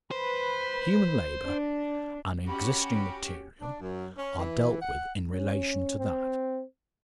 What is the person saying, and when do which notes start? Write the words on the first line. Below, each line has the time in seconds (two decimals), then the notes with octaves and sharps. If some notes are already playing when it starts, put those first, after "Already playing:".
Human labour and existing material are dealt with in relation to that.
0.11 B4 C5
1.45 D4
2.47 C#4 F#4 G4 B5
3.60 D4
3.80 F#2
4.16 C#4
4.39 E3
4.81 F#5
5.33 C#4
5.99 C4